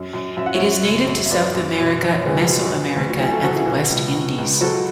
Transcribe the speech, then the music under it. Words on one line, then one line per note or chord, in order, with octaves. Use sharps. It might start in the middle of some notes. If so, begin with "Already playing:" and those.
It is native to South America, Mesoamerica, and the West Indies.
Already playing: F#2
F#2
F#2 E5
F#5
C#5 E5
F#2
C#3
F#2
E5
F#2 B4 D5
F#2
B2
F#3
C#5
C#2 G#4 B4
F#3
F#3
D2
F#4
F#3 E4 G#4
F#4 A4
F#3 F#4 A4
E4 G#4
B2 F#4
C#2
C#2
C#2
F#3 F#4 A4